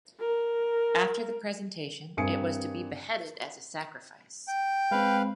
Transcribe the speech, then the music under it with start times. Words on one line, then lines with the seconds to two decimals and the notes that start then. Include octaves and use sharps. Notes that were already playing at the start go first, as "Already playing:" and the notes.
After the presentation, it was to be beheaded as a sacrifice.
0.20 A#4
2.17 G2 C4 A#4 G#5 D#6 C#7
4.48 G5
4.91 G#3 C4 B4 F5